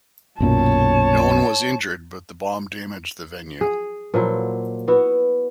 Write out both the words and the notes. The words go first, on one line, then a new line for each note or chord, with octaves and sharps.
No one was injured, but the bomb damaged the venue.
B1 F#2 A#2 C#5 A5
G#4
A#2 F3 F#3 E4
B3 E4 F#4